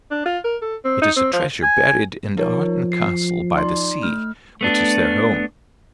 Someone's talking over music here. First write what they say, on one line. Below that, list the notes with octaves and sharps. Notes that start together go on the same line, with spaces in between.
It is a treasure buried in Arden Castle by the sea, which is their home.
D4
F4
A#4
A4
C4
D#4
C4
F3
G#5
F3 D#4 A#4 C#5
C7
D#4 D5 C6
A3 F6
A3 B3 D4